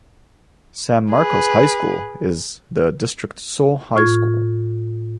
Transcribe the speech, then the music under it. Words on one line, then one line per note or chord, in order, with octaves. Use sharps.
San Marcos High School is the district's sole high school.
G#4 B4
A2 F4 G#6